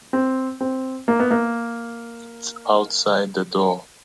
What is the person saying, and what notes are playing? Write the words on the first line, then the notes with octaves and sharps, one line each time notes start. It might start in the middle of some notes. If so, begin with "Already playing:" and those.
It's outside the door.
C4
C4
A#3
B3
A#3